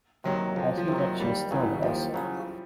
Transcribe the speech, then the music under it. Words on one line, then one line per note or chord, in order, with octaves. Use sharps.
I see that she is still with us.
C3 D#3 F#3
F2 F3
F3
C3 D#3
F#3
D#2 G3
C#3 E3 F#3
E3
D#2 F3
C#3 F#3